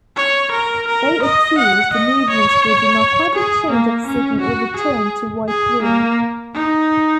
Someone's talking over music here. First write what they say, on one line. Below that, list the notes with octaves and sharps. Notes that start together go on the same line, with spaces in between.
They accuse the Movement for Democratic Change of seeking a return to white rule.
C#5
A#4
A#4
D#5
F#5
D#5
C#5
G#4
A#3
C#4
F#4
G#4
G#4
A#3
D#4